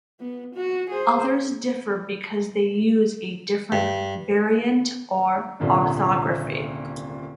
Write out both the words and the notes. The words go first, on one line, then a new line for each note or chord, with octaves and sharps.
Others differ because they use a different variant or orthography.
B3
F#4
G#4 C5
G2
D#1 C2 A#2 D3